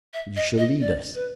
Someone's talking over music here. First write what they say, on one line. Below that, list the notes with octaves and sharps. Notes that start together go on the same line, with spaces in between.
You shall lead us.
E5
D#5
D#5
D5
B4